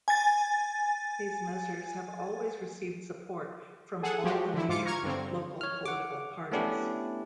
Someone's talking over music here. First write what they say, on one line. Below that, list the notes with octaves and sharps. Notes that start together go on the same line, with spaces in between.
These measures have always received support from all the major local political parties.
G#5 A6
G#4 A4 F#5
F3 F#3 G#3 F#4 G4
D3 E4
G#2 F4 D6 C#7
A#5 C#6 F6 G#6
G2 D3 C4
C#5 F6
F#5 D6
A3 B3 C#4 D4 E4 G4